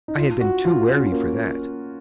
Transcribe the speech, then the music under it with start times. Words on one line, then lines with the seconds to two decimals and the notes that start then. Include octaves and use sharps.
I had been too wary for that.
0.08 D#4
0.17 F4
0.41 F#4
0.65 F4
0.88 C#4
1.12 A#3